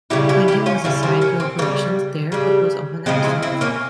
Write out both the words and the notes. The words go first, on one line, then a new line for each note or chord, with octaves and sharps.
Quentin was assigned to operations there but was often absent.
C#3 G3 E4 G4
E4 G4
E4 G4
C#4 F4
C#3 G3 C4 E4
C4 E4
A#3 C#4
C4
C#3 G3 A#3
C#3 G3
C#3 F3 G#3 C4
C4 E4
C4 E4
A#3 C#4